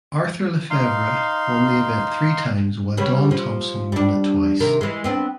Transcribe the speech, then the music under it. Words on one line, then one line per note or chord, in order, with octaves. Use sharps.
Arthur Le Fevre won the event three times while Don Thomson won it twice.
D#4 F5 C6
C#3 G3 B3
F3
G3 D4
C3 D#3 A#4
E3 G#3
B3 C4 D4